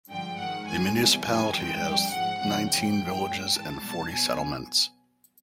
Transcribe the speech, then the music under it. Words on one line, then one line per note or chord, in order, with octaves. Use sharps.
The municipality has nineteen villages and forty settlements.
G2 D3 F3 G#3 G5
G#2 D#3 G#3 F#5
F#2 D#3 G#3 G#5
E2 C3 E3 G3 G#5
F2 C3 D#3 G#5
G2 E3 G#3 G5
F2 D3 G3
G#2 F3 G#3 F#5
E2 C#3 F3 F#5
F#2 C#3 E3 G5
A2 F3 G#3
A#2 F#3
G#2 E3 G#3 A5
B2 G3 A5
B2 F#3 G#5